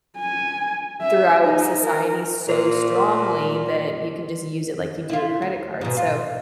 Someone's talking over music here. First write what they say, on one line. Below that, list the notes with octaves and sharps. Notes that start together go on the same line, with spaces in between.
throughout society, so strongly that you can just use it like you do a credit card, so,
G#5
E5
D#4
A#4
A#2 F7
A#4 C6
E4 F4
D2
G#2 B2
F4